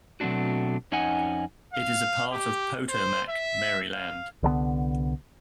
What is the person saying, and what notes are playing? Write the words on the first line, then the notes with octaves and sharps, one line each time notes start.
It is a part of Potomac, Maryland.
B2 F#3 A3 C4 D4 F#4
F2 C#4 D#4 D#5 F#5 G#5
F5
G4
C5
E5
F5
C2 D3 F#3 B3